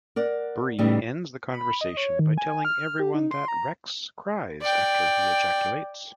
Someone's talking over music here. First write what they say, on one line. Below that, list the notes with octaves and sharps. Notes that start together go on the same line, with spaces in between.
Bree ends the conversation by telling everyone that, "Rex cries after he ejaculates".
A#4 D5 F#5
A2 C#3 E3 G3 D#4
B5
D#5
C#5
D#3
G#5
F6
G4
D#4
C6
A#5
D5 G5